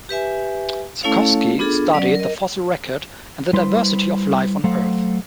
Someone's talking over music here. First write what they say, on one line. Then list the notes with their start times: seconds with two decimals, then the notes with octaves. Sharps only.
Sepkoski studied the fossil record and the diversity of life on Earth.
0.09 G4 B4 E5 G#5
1.03 A3 C#4 E4 A4 C#5 F5
1.59 B3 D4 F4 G#4 A4
1.93 F#3 C#4 D5
2.15 A#4 D#5
3.53 G3 E4 B4 C5 C6
4.64 F#3 A3 A4 C5 F5 F#5